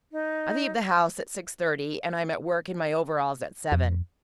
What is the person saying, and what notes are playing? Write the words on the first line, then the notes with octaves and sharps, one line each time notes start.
I leave the house at six-thirty, and I'm at work in my overalls at seven.
D#4
F2